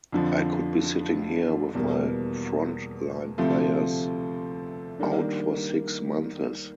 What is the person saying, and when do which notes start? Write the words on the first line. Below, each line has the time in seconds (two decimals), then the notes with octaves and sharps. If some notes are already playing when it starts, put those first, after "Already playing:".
I could be sitting here with my front-line players out for six months.
0.12 F2 D3 F3
1.75 E2 B2 G3 A#3
3.38 D2 C3 F3 A3 C4
4.99 D#3 G3 A#3 D4